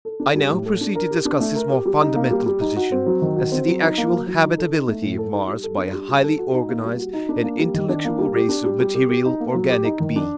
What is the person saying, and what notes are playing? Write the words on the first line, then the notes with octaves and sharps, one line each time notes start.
I now proceed to discuss his more fundamental position as to the actual habitability of Mars by a highly organised and intellectual race of material organic beings.
A4
D4
G3
A2
A4
D4
A#4
G4
D4
A3
A#4
G4
G3
D#4
A#3
G3
G3
D#4
F#4
C4
F#3
D#3
F#4
C4
F#3
D#4
A#3
F#3
F#3
D#4
A4
D#4
A3
A2
A4
D#4
G3
A4
D4
G3
G3
A4
F#4
D#4
A#3
G3
F#4
D#4
D4
A#3
G3
D#3
D4
A#3
G3
G4
D4
G3
G3
G4
G4
D#4
A#3
F#3
G4
D#4
D#3
D4